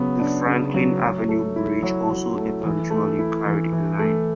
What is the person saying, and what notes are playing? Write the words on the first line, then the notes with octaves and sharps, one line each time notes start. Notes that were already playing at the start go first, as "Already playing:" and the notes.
The Franklin Avenue Bridge also eventually carried a line.
Already playing: C#3 F#3 B3
D4
C#3
F#3
F#3
A3
E4
F#3
F#3
A3
E3
A3
E4
E3
E3
A3